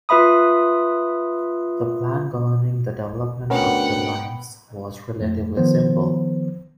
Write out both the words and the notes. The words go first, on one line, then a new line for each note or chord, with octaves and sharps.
The plan governing the development of the limes was relatively simple.
F4 B4 E5 B5 D#6
D2 B3 C#4 A#4 F#5 G5
F2 A3
D#3 F3 B3 C5